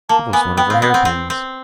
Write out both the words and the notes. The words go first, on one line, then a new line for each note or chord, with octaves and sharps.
It was one of her hairpins.
A#3 A5
B3 G#5
B3 G5
C4 F5
B3
F#5
C4
C4
C4